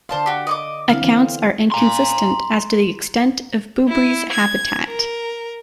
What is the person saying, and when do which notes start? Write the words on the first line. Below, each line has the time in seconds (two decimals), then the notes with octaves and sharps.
Accounts are inconsistent as to the extent of the boobrie's habitat.
0.09 D3 C5 D5 F5 A5 C6
0.26 F#4 G4
0.47 D#5 C#6 D6
0.89 D3 C4 E4 F5
1.02 E3 C4
1.72 A#5 C6
3.88 E4
4.32 G#6
4.87 A#4